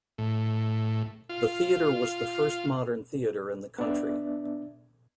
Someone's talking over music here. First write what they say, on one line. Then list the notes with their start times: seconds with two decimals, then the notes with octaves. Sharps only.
The theater was the first modern theater in the country.
0.18 A2
1.29 F4
3.79 B3 D4 D5 E5